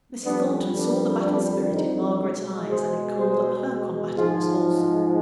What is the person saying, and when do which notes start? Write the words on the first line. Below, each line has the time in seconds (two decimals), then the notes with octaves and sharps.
Mrs. Thornton saw the battle-spirit in Margaret's eyes, and it called up her combativeness also.
0.24 F2 D3 G3 B3 D4
0.73 B3 D4
1.23 B3 D4
1.72 C4 D#4
2.21 B2 G#3
2.70 G#4 C5
3.19 G#4 C5
4.17 G#2 F3 G#3 F4 G#4